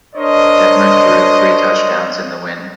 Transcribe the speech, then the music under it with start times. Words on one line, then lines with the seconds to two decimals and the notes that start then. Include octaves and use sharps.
Detmer threw three touchdowns in the win.
0.16 D4 A#4 C5 C#5 D#5